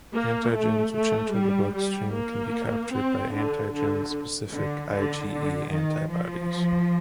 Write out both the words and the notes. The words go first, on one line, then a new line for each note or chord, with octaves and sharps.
Antigens which enter the blood stream can be captured by antigen specific IgE antibodies.
A#3
A3
A3
G3
G3
A#3
C4
D3
D3
D3
D3
D3
D#3
F3